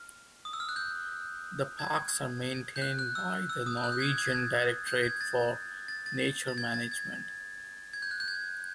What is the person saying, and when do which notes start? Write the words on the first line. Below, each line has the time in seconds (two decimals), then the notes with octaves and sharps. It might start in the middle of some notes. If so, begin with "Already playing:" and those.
The parks are maintained by the Norwegian Directorate for Nature Management.
Already playing: F6
0.45 D#6
0.53 E6
0.60 F6
0.69 F#6
0.76 G6
1.79 G#6
2.76 G6
2.82 F#6
2.99 F#6
3.15 E6
3.49 E6
3.66 D#6
3.77 G6
3.84 F#6
3.92 G6
4.00 G#6
4.18 G#6
4.26 A6
4.33 G#6
4.87 G6
5.03 G#6
5.21 A6
5.88 A6
6.06 A6
6.48 A6
6.58 G#6
6.74 A6
6.92 G#6
7.93 G#6
8.02 G6
8.11 F#6
8.20 G6
8.28 G#6